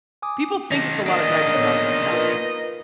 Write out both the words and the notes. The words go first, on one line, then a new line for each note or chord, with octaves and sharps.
People think it's a lotta driving around, it's not.
G#5 D6 D#6
D#3 D#4 A4
A#3 D4 D#4 D#5
A2 B3 C#5
F4 A#4 B4